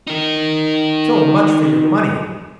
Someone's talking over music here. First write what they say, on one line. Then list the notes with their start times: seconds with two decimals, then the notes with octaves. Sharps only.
So much for your money!
0.07 D#4 A#4